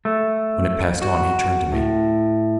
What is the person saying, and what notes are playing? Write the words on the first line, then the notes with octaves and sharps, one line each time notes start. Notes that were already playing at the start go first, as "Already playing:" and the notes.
When it passed on, he turned to me.
A3
F#4
A2